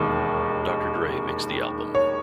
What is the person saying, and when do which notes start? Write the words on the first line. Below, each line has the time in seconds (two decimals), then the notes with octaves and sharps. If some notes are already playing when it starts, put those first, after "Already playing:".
Doctor Dre mixed the album.
Already playing: E1 D#2 D#3
1.95 C#5